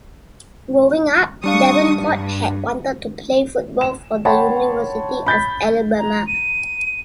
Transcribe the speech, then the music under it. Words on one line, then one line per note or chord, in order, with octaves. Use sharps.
Growing up, Davenport had wanted to play football for the University of Alabama.
G3 D4 F5 C#6 D#6
G2
E7
C#5 F#5 G5 A5 B5 C6
B5 G6 A6 B6
A#5
D#7